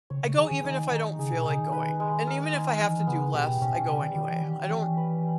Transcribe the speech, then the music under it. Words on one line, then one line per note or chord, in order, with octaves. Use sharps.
I go even if I don't feel like going, and even if I have to do less, I go anyway, I don't
C#3 C#5
C#3
D#3 G#4
D#3
D#3 D#4
D#3 D#4
C#3 G#4
B2
C#3 D#4
D#3
B4
G#3
A#4
D#4
E3 D#5
C#3 B3
B2 G4
B2
B2 C#4
B2
C#3 G3
D#3
D#3 G3
E3
D#3 G4
E3 C#4
B4
G3